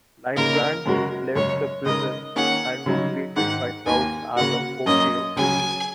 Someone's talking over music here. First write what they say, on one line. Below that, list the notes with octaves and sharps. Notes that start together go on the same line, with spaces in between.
Leibbrandt left the prison and was greeted by crowds as a "folk hero".
C#3 A#3 D#4 A#4
F#2 C#3 G#3 F#4 A#4
F#2 C#3 G#3 C#5
C#3 G#3 D#4 A#4 D#5
D#3 A#3 C#4 G#4 F#5
C#3 F#3 D#4
G#2 D#3 G#3 F#5
D#2 D#3 A#3 G#5
C#3 A#3 F#4 F#5
F#2 F#3 A#3 C#4 A#4 D#5
C#2 C#3 F#3 G#5